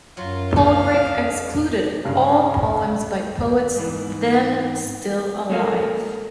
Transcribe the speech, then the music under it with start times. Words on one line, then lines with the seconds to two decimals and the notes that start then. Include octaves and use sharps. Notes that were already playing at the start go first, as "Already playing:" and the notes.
Palgrave excluded all poems by poets then still alive.
0.17 F#2 F#3 F4
0.56 G2 C#3 E3 C#4 F5
1.07 F2 D#5
2.05 G2 C#3
3.76 G#2 E3
5.50 G#3 A#3 A4 A#4 F5 G#5